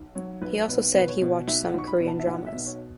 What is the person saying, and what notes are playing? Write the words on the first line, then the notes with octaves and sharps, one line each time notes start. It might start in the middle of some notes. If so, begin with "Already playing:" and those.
He also said he watched some Korean dramas.
Already playing: B1
F#3 C#5
B1 B4
B2 B4
B2 B4
C#5
B2
B1 E5
F#5
B1 C#6
B5
B2
A5
E5
B1 F#5
E5
B2
C#5